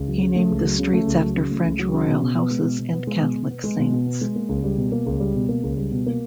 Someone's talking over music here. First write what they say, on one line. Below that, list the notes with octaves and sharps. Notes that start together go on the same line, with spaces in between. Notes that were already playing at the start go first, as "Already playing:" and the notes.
He named the streets after French royal houses and Catholic saints.
Already playing: C#2
F#3
C#3
A3
C#2
F#3
C#3
A3
C#2
F#3
C#3
A3
C#2
F#3
C#3
B2
B2
B3
G#3
B2
B2
B3
G#3
B2
B2
B3
G#3
B2
B2
B3
G#3
A#3
C#2
G3
B2
A#3
C#2
G3
B2
A#3
C#2
G3
B2
A#3